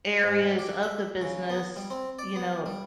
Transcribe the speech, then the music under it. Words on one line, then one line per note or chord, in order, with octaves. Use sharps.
areas of the business, you know,
G#2
G4
E5
C#3
B3
G3
C4
D5
B3
G3